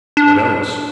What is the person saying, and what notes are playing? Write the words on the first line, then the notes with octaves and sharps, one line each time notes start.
"What else?"
D4